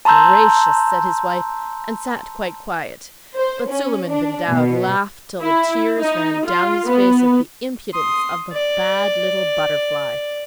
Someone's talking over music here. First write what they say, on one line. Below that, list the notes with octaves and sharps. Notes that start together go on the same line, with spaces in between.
'Gracious!' said his wife, and sat quite quiet; but Suleiman-bin-Daoud laughed till the tears ran down his face at the impudence of the bad little Butterfly.
A5 A#5 C6 E6 G6
C5
C#4
D4
B2
E4
D#4
F4
B3
C6 D#6
D5